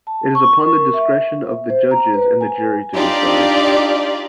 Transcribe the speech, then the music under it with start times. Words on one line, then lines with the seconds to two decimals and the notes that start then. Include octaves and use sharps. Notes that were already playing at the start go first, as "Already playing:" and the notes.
It is upon the discretion of the judges and the jury to decide.
0.07 A5
0.35 C#6
0.62 A#4
0.94 E5
1.70 C5
1.91 A#5
2.14 B4
2.41 G#5
2.96 D4 D#4 F4 G4 D5